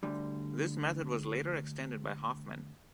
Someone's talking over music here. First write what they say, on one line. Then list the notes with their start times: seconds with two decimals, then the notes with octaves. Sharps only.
This method was later extended by Hoffman.
0.03 D2 D3 G3